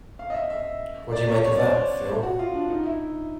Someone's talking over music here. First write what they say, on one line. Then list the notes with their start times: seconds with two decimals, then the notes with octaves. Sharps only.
What do you make of that, Phil?
0.19 F5
0.30 D#5
0.34 E5
0.50 E5
1.13 D5
1.29 C#5
1.44 C#5
1.55 D5
1.65 C5
2.23 F#4
2.39 F4
2.54 D4
2.70 D#4
2.86 E4